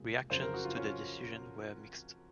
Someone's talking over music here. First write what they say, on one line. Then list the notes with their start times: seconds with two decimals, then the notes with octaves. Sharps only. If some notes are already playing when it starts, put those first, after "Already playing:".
Reactions to the decision were mixed.
Already playing: C2 A#2 G#3
0.31 F2 C#3 F#3 C5
0.42 A#4
0.54 F#4
0.65 F4
0.77 C#4